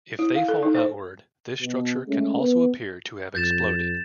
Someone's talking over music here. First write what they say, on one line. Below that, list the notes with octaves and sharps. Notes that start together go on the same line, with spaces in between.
If they fall outward, this structure can also appear to have exploded.
E4
F5
A4
D#4
C5
B2
G#3 A3 C#4
B3
F2 G6 A6 E7